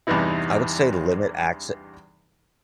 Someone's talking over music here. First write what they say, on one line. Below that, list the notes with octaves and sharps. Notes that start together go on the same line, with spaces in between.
I would say to limit acce an
E2 G2 C3 B3 D#4 E4